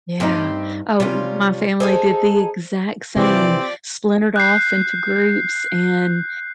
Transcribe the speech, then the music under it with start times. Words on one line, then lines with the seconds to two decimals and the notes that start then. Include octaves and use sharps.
Yeah. Oh, m my family did the exact same, splintered off into groups, and,
0.20 G2 C4 C#4 D#4 G4
1.00 C3 G3 C#4 F4
1.80 D#4 G#4 A4 C5
3.16 C3 E3 F3 C4 G4 D5
4.36 F#6 G6 C7